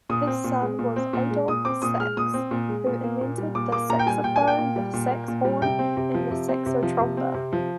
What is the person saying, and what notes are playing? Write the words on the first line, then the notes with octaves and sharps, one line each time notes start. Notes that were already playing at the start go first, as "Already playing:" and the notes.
His son was Adolphe Sax who invented the saxophone, the saxhorn and the saxotromba.
A#2 D#6
C4
A#2
G#3
A#2
C4
A#2
G#3
A#2 D#6
C4 D6
A#2 D#6
G#3 F6
A#2 D#6
C4
A#2
G#3
A#2
A#3
A#2
G3
A#2 D6
A#3 D6
A#2 A#5
G5
G3 G#5
A#2 G5
G#5
A#3
G5
A#2
G3
A#2
A#3
A#2
G3
C3 G5
C4
C3
F3
C3
C4
C3
F3
C3
C4
C3
F3